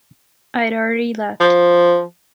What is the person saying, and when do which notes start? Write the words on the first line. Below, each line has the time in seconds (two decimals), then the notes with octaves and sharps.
I’d already left.
1.40 F3